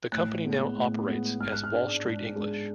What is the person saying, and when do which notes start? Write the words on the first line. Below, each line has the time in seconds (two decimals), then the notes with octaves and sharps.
The company now operates as Wall Street English.
0.12 A2 F#6
0.45 G#3 B3
0.76 A2
1.08 G#3 B3
1.39 G#2 F6
1.52 F#6
1.64 F6
1.72 G#3 D4
2.04 G#2
2.36 G#3 D4